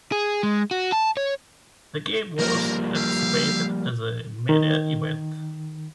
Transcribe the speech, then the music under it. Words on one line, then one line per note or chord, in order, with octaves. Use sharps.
The game was anticipated as a media event.
G#4
G#3
F#4
A5
C#5
F3 G3 A#3 A#4
G4 E5 F5
D#3